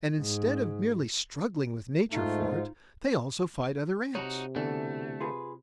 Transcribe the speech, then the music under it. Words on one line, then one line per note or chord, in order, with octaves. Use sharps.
And instead of merely struggling with Nature for it, they also fight other ants.
G#2
G#2 A3 D#4 F4
C3 D#4 F#4 C#5 A#5
E2 B2 D3 E3 A3
F4 G#4 B4